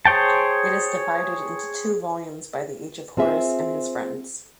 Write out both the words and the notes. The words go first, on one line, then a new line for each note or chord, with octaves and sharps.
It is divided into two volumes by the age of Horace and his friends.
G#4 C5 C#5 G5 A5
C4 F4 G#4 E5